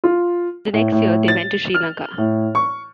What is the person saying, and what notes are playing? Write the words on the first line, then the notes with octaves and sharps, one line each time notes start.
The next year they went to Sri Lanka.
F4
A2
A2
A6
F6
A2
C#6